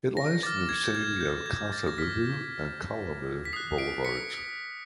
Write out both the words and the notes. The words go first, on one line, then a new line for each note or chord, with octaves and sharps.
It lies in the vicinity of the Kasa-Vubu and Kalamu boulevards.
A#6
D6 F6 A6
G#6
G6
G#6
G6
G#6
A6
A#6
D6 F6 B6
B6
D#6 F#6 C7
C7 D7
B6 C#7